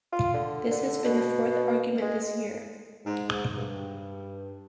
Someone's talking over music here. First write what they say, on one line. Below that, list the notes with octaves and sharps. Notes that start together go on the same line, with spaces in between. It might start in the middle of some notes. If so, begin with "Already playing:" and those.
This has been the fourth augment in a year.
F4
D3
D3
B2
G#3
G#2
G2